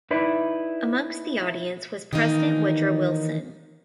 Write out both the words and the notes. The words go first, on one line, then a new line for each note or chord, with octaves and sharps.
Amongst the audience was President Woodrow Wilson.
D#4 E4 B4 D5
D#3 E3 A#3 D#4